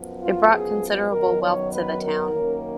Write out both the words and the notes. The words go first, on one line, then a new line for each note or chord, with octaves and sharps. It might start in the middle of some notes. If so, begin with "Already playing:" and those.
It brought considerable wealth to the town.
Already playing: F#2 F3 B3
F4
G#4
F#2 D#3 F#3 B3 D#4 A#4
C#5
B4
A#4
F#2 D#3 A#3 C#4